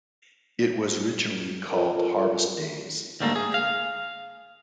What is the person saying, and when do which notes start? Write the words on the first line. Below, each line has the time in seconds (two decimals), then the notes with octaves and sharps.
It was originally called Harvest Days.
1.70 F4 A4 A#4
3.20 D2 G#2 G3 A3 A#3
3.36 G#4
3.54 F5